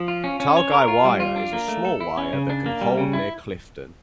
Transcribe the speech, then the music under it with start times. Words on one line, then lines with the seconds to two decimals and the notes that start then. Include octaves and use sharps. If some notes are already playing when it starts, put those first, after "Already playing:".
Talgai Weir is a small weir that can hold near Clifton.
Already playing: F3
0.08 F4
0.24 C#4
0.40 C#4
0.57 C#5
0.72 A#4
0.88 F4
1.05 G3
1.20 F4
1.36 D4
1.53 A#3
1.68 A3
1.85 A4
2.00 E4
2.17 C#4
2.33 C#3
2.50 D4
2.66 A#3
2.81 G3
2.97 C#3
3.13 E4